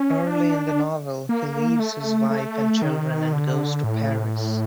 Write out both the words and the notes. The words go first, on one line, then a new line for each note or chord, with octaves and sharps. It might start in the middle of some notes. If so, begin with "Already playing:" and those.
Early in the novel, he leaves his wife and children and goes to Paris.
Already playing: C#4
D4
A#3
A3
A3
D#3
D3
A2